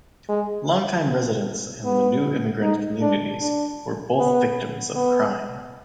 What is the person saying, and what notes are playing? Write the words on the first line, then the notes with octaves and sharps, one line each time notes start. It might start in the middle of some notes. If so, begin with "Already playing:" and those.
Long-time residents and the new immigrant communities were both victims of crime.
G#3
B3
D#4
D4
D4
B3
B3